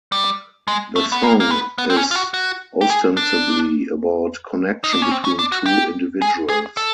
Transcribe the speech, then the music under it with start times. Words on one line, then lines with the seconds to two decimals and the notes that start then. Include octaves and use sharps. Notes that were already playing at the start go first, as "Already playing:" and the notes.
The song is ostensibly about "connection" between two individuals.
0.12 G3
0.68 G#3
0.96 A3
1.12 B3
1.23 A#3
1.40 A#3
1.50 B3
1.78 B3
1.90 C4
1.96 C#4
2.11 F4
2.16 F#4
2.34 F#4
2.81 G4
2.90 G#4
3.17 D4
4.84 D#4
4.93 D4
5.02 C#4
5.11 C4
5.25 C#4
5.39 D4
5.52 F#4
5.66 G4
6.22 G#4
6.49 G#4
6.77 A4